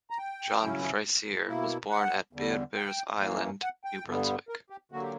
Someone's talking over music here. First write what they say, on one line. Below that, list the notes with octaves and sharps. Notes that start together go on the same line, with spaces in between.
John Fraser was born at Beaubears Island, New Brunswick.
A#5
G5
C#3 F#3 C#4 E4
B2 A#3 E4
F#5
E2 D3 G3
G5
F#2 E3 A#3
F#5
G5
G2 D3 G3 B3
A#4
G4
D3 F#3 A#3 F#4
G4